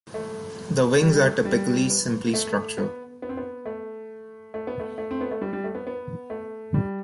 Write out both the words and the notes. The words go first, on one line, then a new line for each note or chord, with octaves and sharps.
The wings are typically simply structured.
A3
G3
A3
G3
B3
A3
B3
B3
C4
B3
A3
A3
B3
A3
A3
C4
B3
A3
G3
G3
A3
B3
B3
A3
G3